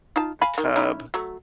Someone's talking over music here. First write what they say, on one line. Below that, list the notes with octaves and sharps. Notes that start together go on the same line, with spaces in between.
the tub,
D#4 F4 A5
F5 G#5 B5
D#3
C#4 D#4 E4
F#3 A3